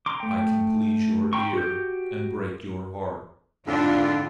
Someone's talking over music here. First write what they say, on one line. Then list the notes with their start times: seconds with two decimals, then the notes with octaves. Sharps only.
I can please your ear and break your heart.
0.06 A#5 C6 D6
0.20 A3 G5
1.33 G5 A#5 C6 C#6
1.53 F#4 G4 G6
3.66 F2 G#2 D3 D4 F4